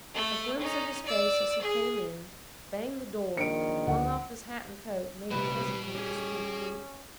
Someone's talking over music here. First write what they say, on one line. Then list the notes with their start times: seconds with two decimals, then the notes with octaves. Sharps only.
A glimpse of his face as he came in, banged the door, and flung off his hat and coat made her hesitate to speak.
0.14 A3 A4
0.59 C#4 D#4
1.05 D5 E6
1.61 G#4
3.37 A#1 D#3 C#7 D7
3.87 D2 F#5
5.31 A2 C3 G3 F#4 B4 D#5
5.95 C#4 G4 G#4